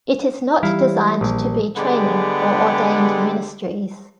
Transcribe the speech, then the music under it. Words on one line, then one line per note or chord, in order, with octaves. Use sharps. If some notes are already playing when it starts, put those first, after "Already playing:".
It is not designed to be training for ordained ministries.
E3 G3 E4 F5
A#1
D3 G3 G#3 B3 G4 G#4